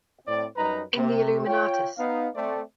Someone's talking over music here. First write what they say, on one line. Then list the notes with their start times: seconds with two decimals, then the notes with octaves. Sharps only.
In The Illuminatus!
0.27 A2 C4 D5
0.56 F#2 G3 D#4 B4 A#5
0.96 C3
1.46 F4 C#5 G5
1.98 B3 D#4 F5
2.35 A3 C4 D5